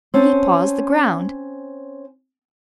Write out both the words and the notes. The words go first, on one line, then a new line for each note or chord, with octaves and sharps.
He paws the ground.
C4 C#4 A5